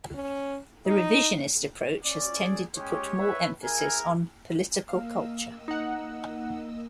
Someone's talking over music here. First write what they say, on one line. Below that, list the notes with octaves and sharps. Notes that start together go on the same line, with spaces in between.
The revisionist approach has tended to put more emphasis on 'political culture'.
C#4
D#4
C#4 D5
G#4
G#3 C#4 G4 C#5
B4 E5
E4 G#4 A#4 G#5
A#3 D#5 F5 E6
D#4 F#5